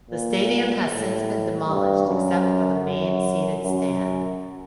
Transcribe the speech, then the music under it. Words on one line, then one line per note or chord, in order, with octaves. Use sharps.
The stadium has since been demolished except for the main seated stand.
A#2
A2
G2
F#2
F#2
F#2